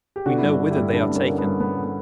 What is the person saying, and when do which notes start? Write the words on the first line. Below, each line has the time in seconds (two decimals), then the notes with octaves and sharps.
We know whither they are taken!
0.16 G4
0.26 D3 D4 F#4
0.38 G2 E4
0.48 D4 F#4
0.60 D3
0.71 E4 G4
0.76 G2
0.93 D3 B3 D4
1.10 G2
1.15 A#3 C#4
1.27 D3
1.38 B3
1.44 G2
1.60 G2 B3
1.77 D3
1.84 B3